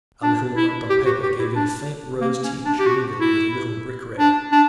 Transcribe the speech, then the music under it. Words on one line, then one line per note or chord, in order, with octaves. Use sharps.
A little rubbed on paper gave it a faint rose tinge mingled with a little brick-red.
D4
E4
G4
F#4
G4
E4
D4
A#3
C#4
D4
G4
F#4
E4
D4
D4